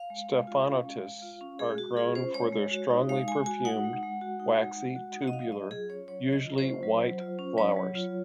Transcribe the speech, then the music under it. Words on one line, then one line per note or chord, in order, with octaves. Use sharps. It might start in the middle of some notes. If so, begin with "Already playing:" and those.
"Stephanotis" are grown for their strongly perfumed, waxy, tubular, usually white flowers.
Already playing: F5
G#3
G#3
F4
C#4
G#3
G#3
F4
C#4
G#3 G#4
G#3 F#4
F4 G#4
C#4 C5
G#3 C#5
G#3
F#4
D#4
G#3 F5
G#3 G#5
F#4 G#5
D#4 F#5
G#3
G#3
F#4
D#4
G#3
G#3
F#4
D#4
D#5
F#3 F5
F#3 D#5
F4 G#4
C#4 C#5
F#3 C#5
F#3
D#5
F4
C5
C#4
F#3
F#3
F4
C#4
F#3 C#5
F#3
F4